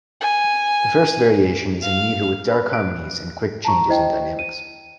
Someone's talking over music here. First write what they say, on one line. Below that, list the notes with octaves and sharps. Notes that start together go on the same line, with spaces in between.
The first variation is in meter with darker harmonies and quick changes in dynamics.
G#5
F5
B4 B5
F#6 D7
A5 A#5 C#6
E4 C5 D#5 G5
D#7